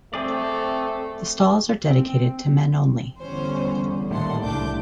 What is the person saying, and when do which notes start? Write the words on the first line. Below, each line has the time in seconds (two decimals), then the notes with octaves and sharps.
The stalls are dedicated to men only.
0.14 A3 C4 G#4 D5
1.90 C4
3.20 E2 D3 G3 C#4 C5
4.11 A1 A#2 D#3 G3 A3 F#5 A5 C6
4.44 C2 C#3 A3 D4 D6 G6